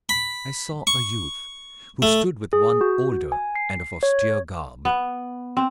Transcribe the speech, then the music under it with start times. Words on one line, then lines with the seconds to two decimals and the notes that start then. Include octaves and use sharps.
I saw a youth who stood with one older and of austere garb.
0.09 B5
0.87 C#6
2.02 A3
2.53 G#4
2.81 F#4
3.32 G#5
3.55 C7
4.03 C#5
4.85 B3
5.57 C4